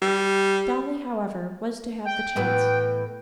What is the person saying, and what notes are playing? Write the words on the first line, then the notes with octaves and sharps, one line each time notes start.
Dolly, however, was to have the chance.
G3
G5
A2 E3 B3